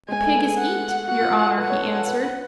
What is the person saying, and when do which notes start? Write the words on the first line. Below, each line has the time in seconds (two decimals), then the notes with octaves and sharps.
"The pig is eat, your honor," he answered.
0.08 G#3 G#5
0.21 A3
0.34 B3
0.46 G#4
0.59 F#5
1.08 F#4 F#5
1.20 F4
1.33 F#4
1.46 A4
1.58 B4 F#5
1.70 C#5
1.82 A4
1.95 A4
2.08 B4
2.23 B4